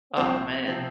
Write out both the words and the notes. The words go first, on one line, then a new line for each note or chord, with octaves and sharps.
Oh, man.
C2 C3 F3 C4
C3 F3 C4